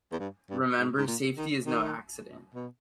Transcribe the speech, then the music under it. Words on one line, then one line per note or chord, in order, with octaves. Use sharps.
Remember safety is no accident.
E2
G2
G2
G#2
G#2
A#2
D#3
D#3
B2